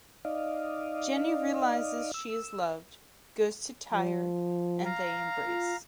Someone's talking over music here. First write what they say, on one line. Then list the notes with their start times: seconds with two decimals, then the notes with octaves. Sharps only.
Jenny realizes she is loved, goes to Tye, and they embrace.
0.25 D#4 D5 D#5 F5
2.14 E6
3.93 F3
4.85 F5 A#5
5.46 F4